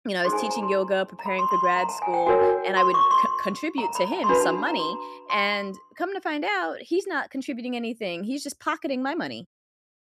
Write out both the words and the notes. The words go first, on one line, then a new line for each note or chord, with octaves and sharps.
you know, I was teaching yoga, preparing for grad school, and I would co contribute to him some money, and come to find out, he's not contributing anything, he's just pocketing my money.
D#4 G#4 C5 C6
G#5
A5
A#5
C6
A#5
B5
C6
C6
C6
A#5
A5
G#5
G5
F#4 A#4 C#5 G#5
C6
C#6
C6
A#5
B5
A5
C6
D4 F#4 B4 B5
A5
B5
A#5
C6
C6